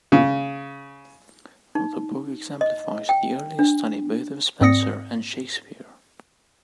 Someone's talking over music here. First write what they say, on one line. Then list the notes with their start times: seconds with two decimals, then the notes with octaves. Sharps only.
The book exemplifies the earliest study both of Spenser and Shakespeare.
0.12 C#3
1.75 D#4
2.61 D#5
3.09 G5
3.59 D4
4.61 G#2 C4 D5 D#6 A#6 C#7